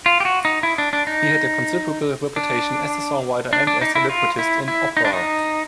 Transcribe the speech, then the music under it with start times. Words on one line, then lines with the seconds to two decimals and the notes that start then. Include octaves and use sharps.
He had a considerable reputation as a songwriter and as a librettist in opera.
0.06 F4
0.20 G4
0.25 F#4
0.45 D#4
0.63 E4
0.78 D4
0.93 D4
1.07 D#4
2.36 D4
3.53 D4
3.67 D4
3.81 D#4
3.95 E4
4.10 F4
4.39 E4
4.68 E4
4.97 D#4
5.05 D4
5.13 D#4